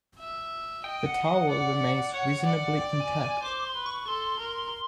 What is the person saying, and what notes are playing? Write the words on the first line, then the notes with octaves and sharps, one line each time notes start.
The tower remains reasonably intact.
E5
D#5 G5
F#5
F#5
D5
C#5 F#5
D5
G5
G#5
G#5
C5 D6
C6
B4
C#6
A4 C6
A#4